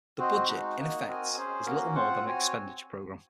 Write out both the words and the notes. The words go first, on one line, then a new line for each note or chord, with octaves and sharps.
The budget, in effect, is little more than an expenditure programme.
C4 F#4 C5 D#5
G#3 D#4 F#4
A#3 D#4 F#4
C4 F#4 A#4 D#5 G#5
C#4 G#4 C5
A#3 C#4 F#4 A#4
C4 F4 C5 F#5
C4 F#4 C#5 G#5